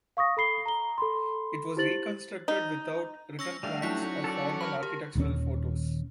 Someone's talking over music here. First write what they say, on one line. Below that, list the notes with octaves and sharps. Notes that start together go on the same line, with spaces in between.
It was reconstructed without written plans or formal architectural photos.
F5 C#6 D#6 A#6
A4 B5 C7 G7
A#5 G7
A4 B5 C6
E4 G4 C5 A6 F#7
D#4
C#4 C#6 E6 A#6
G3 A3 D4 F5
F#3 C#4 D#4 E4 B6
A4 D5
A#4 A5 B5
G4
D#1 D#2 D3 C#4